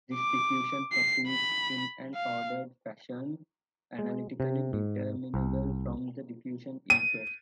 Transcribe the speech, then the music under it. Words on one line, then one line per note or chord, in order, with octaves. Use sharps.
This diffusion proceeds in an ordered fashion, analytically determinable from the diffusion equation.
D6
C7
B5
F5
G#3
C3
G#2
C2
D#7